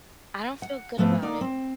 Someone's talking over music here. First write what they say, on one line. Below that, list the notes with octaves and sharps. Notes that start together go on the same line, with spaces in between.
I don't feel good about it.
F#5
G#2 F3 A3 B3 C4 E4
A#3 D#4 A#4 D5
C4